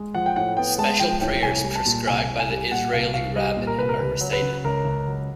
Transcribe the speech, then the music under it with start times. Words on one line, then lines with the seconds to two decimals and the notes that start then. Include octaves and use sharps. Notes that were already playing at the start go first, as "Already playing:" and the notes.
Special prayers prescribed by the Israeli rabbinate are recited.
Already playing: G#3
0.14 F3 F#5
0.26 G5
0.36 A2 F#5
0.57 B3 G5
0.78 G#3 A5
1.00 F3 G5
1.21 A2 G5
1.43 C2 G#5
1.64 G3
1.75 A5
1.86 A#2
2.07 C2 G#5
2.29 C2
2.40 G#5
2.50 G3
2.72 A#2 F#5
2.93 C2 F5
3.14 C2 F5
3.36 G3 D#5
3.57 A#2
3.67 A#4
3.78 C2 B4
3.89 A#4
3.99 C#2 B4
4.21 F#3
4.33 B4
4.42 C#3
4.64 C#2 A#4
4.85 C#2
5.07 F#3